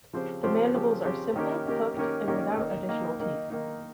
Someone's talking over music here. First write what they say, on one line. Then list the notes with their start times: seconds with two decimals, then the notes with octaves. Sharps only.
The mandibles are simple, hooked, and without additional teeth.
0.13 C#3 F3 C4 G4 C5
0.44 C#3 F3 C4 G4 C5
0.74 C#3 F3 C4 G4 C5
1.05 C#3 F3 C4 G4 C5
1.36 D#3 A#3 C#4 G4 A#4
1.66 D#3 A#3 C#4 G4 A#4
1.97 D#3 A#3 C#4 G4 A#4
2.28 D#3 A#3 C#4 G4 A#4
2.57 D#3 A#3 D#4
2.89 D#3 A#3 D#4
3.20 D#3 A#3 D#4
3.50 D#3 A#3 D#4